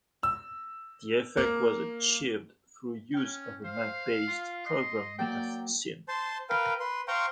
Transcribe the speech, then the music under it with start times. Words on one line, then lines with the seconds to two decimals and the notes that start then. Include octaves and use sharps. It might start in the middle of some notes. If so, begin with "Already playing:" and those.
The effect was achieved through use of the Mac-based program MetaSynth.
0.23 E6
1.37 A#3
3.14 C#4 G5 F6
3.65 C5 F5
4.28 F4
4.66 D#5 C6
5.19 F#3 A#3 D5 G5
6.08 C5 A5 C6
6.50 A#4 B4 F5 G5
6.80 B4 C6
7.08 C5 F5 G5 A#5 C6 C#6